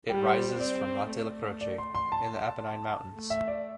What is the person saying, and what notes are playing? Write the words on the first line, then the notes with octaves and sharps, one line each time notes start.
It rises from Monte la Croce in the Apennine Mountains.
G3 G4
C5
C5
C4 D5
A3
D5
C6
C6
A5
A3
E5
D5